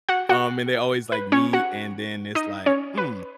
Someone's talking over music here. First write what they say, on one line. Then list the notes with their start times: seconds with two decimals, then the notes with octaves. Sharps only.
um, and they always, like, meet, and then it's like, "Mm,
0.09 F#4 F#5
0.29 F#4 F#5
1.12 B4
1.32 C#4 C#5
1.53 F#4 F#5
2.35 D#4 D#5
2.66 C#4 C#5
2.97 B4